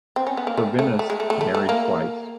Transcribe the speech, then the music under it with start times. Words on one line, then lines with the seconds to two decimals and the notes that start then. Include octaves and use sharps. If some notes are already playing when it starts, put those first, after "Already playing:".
Corvinus married twice.
0.16 C4
0.27 C#4
0.37 B3
0.47 A#3
0.57 A3
0.79 A3
0.99 A3
1.10 G#3
1.20 A3
1.30 A3
1.41 A3
1.55 A3
1.69 A#3